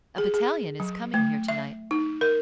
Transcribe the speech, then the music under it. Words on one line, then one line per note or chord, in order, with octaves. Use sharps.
"A battalion is coming here to-night."
G#4
G#4
F#3
A3
E5
D#4
A#4